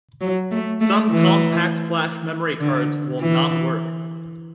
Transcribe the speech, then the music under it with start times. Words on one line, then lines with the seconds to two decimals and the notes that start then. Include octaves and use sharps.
Some Compact Flash memory cards will not work.
0.21 F#3
0.52 A3
0.81 A3
1.10 E3
2.60 D3
3.20 E3